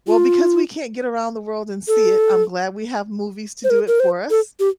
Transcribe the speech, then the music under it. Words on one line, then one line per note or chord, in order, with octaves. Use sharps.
Well, because we can't get around the world and see it, I'm glad we have movies to do it for us.
F4
A4
C5
A#4
A#4
C5
A4
G4